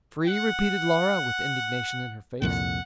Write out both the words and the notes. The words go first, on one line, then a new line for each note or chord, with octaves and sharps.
"Free?" repeated Laura, with indignation in her face.
F#5
C2 F2 A#2 F#5